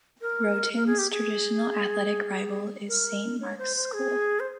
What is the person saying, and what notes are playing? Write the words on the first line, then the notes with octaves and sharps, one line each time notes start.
Groton's traditional athletic rival is Saint Mark's School.
A#4
A#4
G#4
G4
G#4
A#4
C#5
C5
C5
G#4
C5